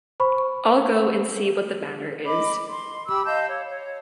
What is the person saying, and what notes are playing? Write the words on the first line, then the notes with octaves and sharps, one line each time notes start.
I'll go and see what the matter is.
C5 B5 C#6
D#5 B5 D6
C6
G4 B5 D6 E6
D#5 F5 A5 G6
C#5
C#5